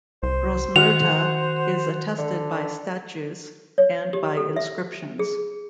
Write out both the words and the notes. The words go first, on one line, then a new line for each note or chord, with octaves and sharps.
Rosmerta is attested by statues, and by inscriptions.
C2 C5
D#3 F#4 F7
D3
C#5
G4
A4
E5
G#4